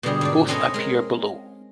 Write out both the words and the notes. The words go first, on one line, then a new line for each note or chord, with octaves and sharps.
Both appear below.
B2 D3 G3 G#4
G#2 D4 D5
C4 C#4 A4 B4 D#5 G#5
G#3 A#4